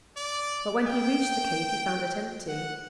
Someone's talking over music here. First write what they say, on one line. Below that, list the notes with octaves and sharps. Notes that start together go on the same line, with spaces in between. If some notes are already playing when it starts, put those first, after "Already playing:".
But when he reached the cave he found it empty.
D5
G5
F#5